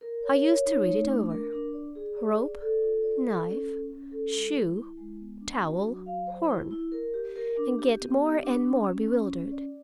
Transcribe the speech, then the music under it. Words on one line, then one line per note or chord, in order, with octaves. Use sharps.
I used to read it over, "rope, knife, shoe, towel, Horn--" and get more and more bewildered.
A#4
C#5
C#5
D#4
A3
D4
A#4
D4
D5
G#4
D5
D5
A4
F4
D5
A4
C#4
C#4
C#4
A4
G#3
E4
E4
G#3
B3
D4
F#4
F#3
F5
C5
E4
E4
A#4
G4
A#4
D4
G4
B3
G4
D4
C#4
C#4
C#4
C#4
D5